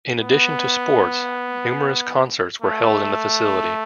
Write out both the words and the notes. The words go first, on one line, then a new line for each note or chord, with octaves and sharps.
In addition to sports, numerous concerts were held in the facility.
B3
A3